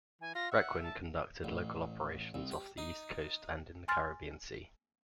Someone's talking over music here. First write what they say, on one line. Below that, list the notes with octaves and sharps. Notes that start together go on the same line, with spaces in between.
"Requin" conducted local operations off the East Coast and in the Caribbean Sea.
E3 G#5
F4 A#6
E5 F#5
A5
A1
C2
G4
D#4
G#5 C6 F6 A6